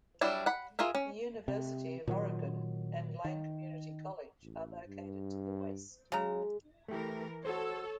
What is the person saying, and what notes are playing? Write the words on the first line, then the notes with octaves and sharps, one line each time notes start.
The University of Oregon and Lane Community College are located to the west.
F#3 G3 D4 E4
F#5 B5
F4 G#4 A#4 E5
C#4
C3
A#2 D#3 F#3
D#3
A1
G2
C#3 F#3 G#3 A#5
E3 A3 G4 A#4
F#4 A4 C5 C#5